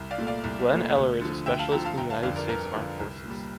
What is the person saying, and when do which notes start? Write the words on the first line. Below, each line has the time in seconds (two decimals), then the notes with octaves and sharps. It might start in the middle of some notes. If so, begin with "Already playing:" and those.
Glenn Eller is a specialist in the United States Armed Forces.
Already playing: C2
0.11 D5 F5
0.18 A#2 A3
0.27 D5 F5
0.44 C2
0.70 A#2 A3
0.95 D2
1.21 D3 F3
1.46 D2 E5 G5
1.59 F5 A5
1.72 D3 F3 G5 A#5
1.85 F5 A5
1.97 G1 G5 A#5
2.10 F5 A5
2.23 F2 D3 D5 F5
2.36 A#4 D5
2.49 G1 A#4
2.74 F2 D3
2.99 C2
3.25 A#2 G3